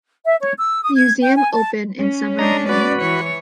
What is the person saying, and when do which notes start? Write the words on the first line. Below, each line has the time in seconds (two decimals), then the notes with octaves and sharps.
Museum open in summer only.
0.25 E5
0.40 C#5
0.58 E6
0.81 D#6
0.94 G#6
1.21 G5
1.35 G#5
1.51 A5
1.98 C#4
2.39 G#3 D4 D#5 A#5
2.69 F#4 B4 D5
3.01 E3 C#5